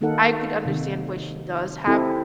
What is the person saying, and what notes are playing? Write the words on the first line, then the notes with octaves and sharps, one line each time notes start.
I could understand why she does have
D#3 A#3 D#4 A4 A#4 F#5
C3 D#3
C4 E4 G4 A4